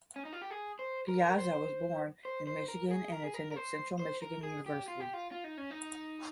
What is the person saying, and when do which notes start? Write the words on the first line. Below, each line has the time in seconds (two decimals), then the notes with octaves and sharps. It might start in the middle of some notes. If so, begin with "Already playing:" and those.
Piazza was born in Michigan and attended Central Michigan University.
0.16 C#4
0.25 D#4
0.33 F4
0.42 G4
0.50 G#4
0.79 C5
1.08 A#4
1.30 A#4
1.38 C5
2.25 C5
2.47 C5
2.68 A#4
2.91 G#4
3.12 A#4
3.24 G#4
3.34 A#4
3.51 A#4
3.56 C5
3.99 C5
4.22 A#4
4.43 G#4
4.66 G4
4.88 F4
5.00 G4
5.13 F4
5.32 F4
5.44 D#4
5.58 C#4
5.71 D#4